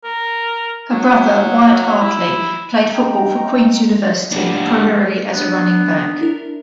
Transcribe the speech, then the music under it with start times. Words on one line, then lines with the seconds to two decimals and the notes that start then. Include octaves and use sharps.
Her brother Wyatt Hartley played football for Queen's University, primarily as a running back.
0.04 A#4
0.91 F#3
2.00 E4
2.91 D#5 G5 A#5
4.32 F2 A2 D4 G4 F#5
5.32 B3 D4
6.19 D4 E4 A#4